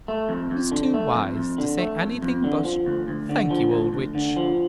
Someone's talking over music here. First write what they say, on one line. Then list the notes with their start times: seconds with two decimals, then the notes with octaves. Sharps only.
He was too wise to say anything but, "Thank you, old witch."
0.08 A3
0.29 F2
0.51 F2
0.72 D3
0.94 A3
1.15 F2
1.37 F2
1.58 D3
1.79 A3
2.00 F2
2.23 F2
2.44 D3
2.64 F3
2.86 D2
3.08 D2
3.29 D3
3.51 F3
3.71 D2
3.93 D2
4.15 D3
4.37 F3